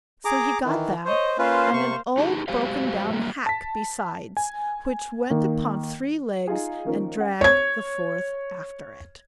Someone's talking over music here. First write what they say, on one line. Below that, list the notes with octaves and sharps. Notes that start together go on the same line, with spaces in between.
So he got that, and an old broken-down hack besides, which went upon three legs and dragged the fourth after it.
G#4 A#5 D6
D#3 E3
C5 C#5 D#5
A#3 C#4 F4 B4 C5 F5
C3 C#6
D#4 G4 G#4 A5
F#3 G#3 G4 C5 F5
F#3 G3 A#3 F#4
A5 B6
G#5
D#3 A#3
D#4 F4 G#4
D#3 F3 A#3 C#4 D#4 A#4
C#4 F#5
C#5 G#6